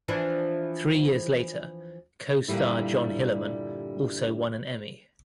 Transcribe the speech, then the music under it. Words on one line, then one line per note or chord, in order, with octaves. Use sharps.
Three years later, co-star John Hillerman also won an Emmy.
E3 F3 D4
G2 A#2 D3 G3 E4